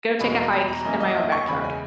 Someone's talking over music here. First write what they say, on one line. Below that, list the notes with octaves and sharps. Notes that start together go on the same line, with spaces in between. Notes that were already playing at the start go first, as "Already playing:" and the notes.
Go take a hike in my own backyard.
E2 B2 G#3 B5
A#5
B5
A#5
F#2 E3 A#3 C#4 D#5
D#5
E5
C#6
E2 C#3 G#3 B5
G#5